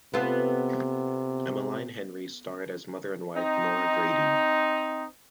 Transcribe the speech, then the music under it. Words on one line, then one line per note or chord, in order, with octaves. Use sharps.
Emmaline Henry starred as mother and wife, Nora Grady.
C3 B3 F4 A4
C4 D#4